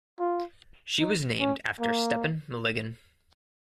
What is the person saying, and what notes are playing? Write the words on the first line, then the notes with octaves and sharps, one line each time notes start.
She was named after Stepan Malygin.
F4
D#4
C#4
A#3